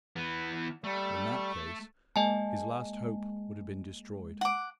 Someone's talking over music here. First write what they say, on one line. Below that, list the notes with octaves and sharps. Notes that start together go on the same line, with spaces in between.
In that case his last hope would have been destroyed.
E3 B3
G3 A3
G#3 A#3 D#5 G#5 A5
F#5 D6